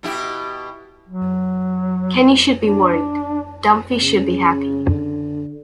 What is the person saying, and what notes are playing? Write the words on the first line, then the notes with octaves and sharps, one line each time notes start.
Kenny should be worried, Dunphy should be happy.
B2 E4 G4
F#3
D4
C#3
D3